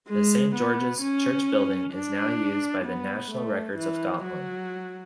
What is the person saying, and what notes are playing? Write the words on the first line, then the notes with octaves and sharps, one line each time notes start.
The Saint George's Church building is now used by the National Records of Scotland.
G#3
B3
C#4
D4
B3
A3
E3
F#3